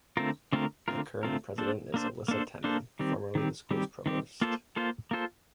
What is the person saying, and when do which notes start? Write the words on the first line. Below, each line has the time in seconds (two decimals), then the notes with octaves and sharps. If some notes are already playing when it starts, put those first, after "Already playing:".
The current president is Elissa Tenny, formerly the school's provost.
0.17 D3 A3 C4 F4 A#4
0.52 D3 A3 C4 F4 A#4
0.88 D3 A3 C4 F4 A#4
1.23 D3 A3 C4 F4 A#4
1.58 A#3 D4 A4 C5
1.94 A#3 D4 A4 C5
2.28 A#3 D4 A4 C5
2.64 A#3 D4 A4 C5
2.99 D#3 G3 C4 G4
3.35 D#3 G3 C4 G4
3.71 D#3 G3 C4 G4
4.06 D#3 G3 C4 G4
4.41 A#3 F4 A4 C5
4.76 A#3 F4 A4 C5
5.11 A#3 F4 A4 C5